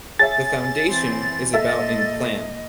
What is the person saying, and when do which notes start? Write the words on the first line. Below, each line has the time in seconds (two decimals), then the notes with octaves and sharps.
The foundation is about in plan.
0.19 G#4 C#5 E5 A6
0.87 E3 C4
1.54 A#2 A4 D#5 E5